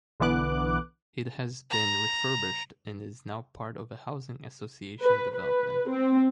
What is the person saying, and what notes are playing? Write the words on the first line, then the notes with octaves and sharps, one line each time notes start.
It has been refurbished and is now part of a housing association development.
B1 D3 E3 B3 D6 F#6
A#5
B4
B4
C4